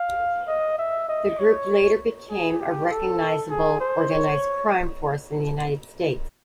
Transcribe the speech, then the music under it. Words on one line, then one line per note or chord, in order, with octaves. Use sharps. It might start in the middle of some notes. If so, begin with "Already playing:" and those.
The group later became a recognizable organized crime force in the United States.
Already playing: F5
D#5
E5
D#5
C#5
G#4
G4
A4
G#4
C5
C#5